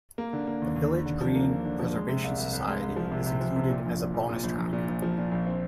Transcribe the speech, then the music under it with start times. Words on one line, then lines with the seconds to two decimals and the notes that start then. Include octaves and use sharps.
"The Village Green Preservation Society" is included as a bonus track.
0.18 A#3
0.33 D3
0.47 A#3
0.62 D#2
0.76 D#2
0.92 D#2
1.06 D3
1.21 F3
1.35 A#3
1.50 A#3
1.65 D3
1.79 F3
1.94 G#3
2.08 C3
2.24 C2
2.38 C2
2.53 C2
2.67 G#3
2.82 C2
2.96 F3
3.12 C3
3.26 C3
3.40 F3
3.56 C3
3.70 A#2
3.85 A#1
3.99 A#2
4.14 A#1
4.29 A#2
4.43 A#1
4.58 A#1
4.73 A#2
4.88 A#1
5.02 F3
5.18 A#2
5.32 A#1
5.47 C4